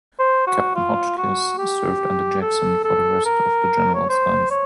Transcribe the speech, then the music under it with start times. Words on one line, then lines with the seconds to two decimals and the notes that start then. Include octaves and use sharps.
Captain Hotchkiss served under Jackson for the rest of the general's life.
0.19 C5
0.47 F#4
0.76 F4
1.17 F#4
1.58 G4
2.41 A4
2.84 A4
3.25 A#4
3.95 C#5
4.09 C5
4.50 C#5